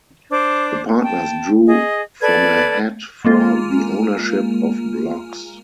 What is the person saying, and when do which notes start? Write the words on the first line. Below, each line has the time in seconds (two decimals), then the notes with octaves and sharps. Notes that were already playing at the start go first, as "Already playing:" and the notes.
The partners drew from a hat for the ownership of blocks.
0.31 D4 C5 D6
1.03 G5 A5
1.67 G#4 D#5
2.21 A4 B4 D5 G#6
3.25 G#3 A#3 F4